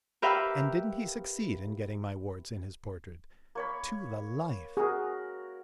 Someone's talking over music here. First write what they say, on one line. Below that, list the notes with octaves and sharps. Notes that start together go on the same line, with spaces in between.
And didn't he succeed in getting my warts in his portrait--to the life.
G4 A#4 B4 E5 F5 G5
A#3 C#5 B5
F#4 G#4 A#4